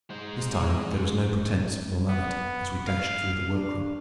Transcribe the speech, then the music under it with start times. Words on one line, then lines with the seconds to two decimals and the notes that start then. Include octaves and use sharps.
This time there was no pretense of normality as we dashed through the workroom.
0.10 G#3 C5
2.08 B3
2.87 F5
3.48 D4